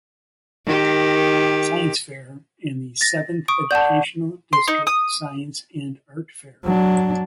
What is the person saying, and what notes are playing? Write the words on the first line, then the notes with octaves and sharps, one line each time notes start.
Science Fair and the Seventh Educational District Science and Art Fair.
D#3 G4
A6 A#6
C#6 D#6 D7
D5 F#5 A5 C#6 G6
C6
D#4
D#6
F#3 D4